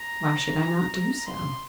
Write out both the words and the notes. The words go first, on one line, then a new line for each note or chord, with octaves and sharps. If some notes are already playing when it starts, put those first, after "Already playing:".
"Why should I not do so?"
Already playing: A#5
C6